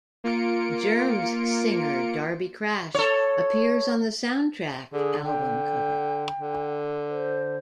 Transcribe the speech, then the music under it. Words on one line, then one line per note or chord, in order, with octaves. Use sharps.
Germs singer Darby Crash appears on the soundtrack album cover.
A#3 F4 C#7 D7
A4 C#5
D3 G#4
D3 G5
D3
C5